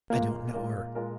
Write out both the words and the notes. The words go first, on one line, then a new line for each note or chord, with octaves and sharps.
I don't know her!'
A#2 G#3 A#3 F4 A#4
A#2 G#3 F4 A#4
A#2 G#3 F4 A#4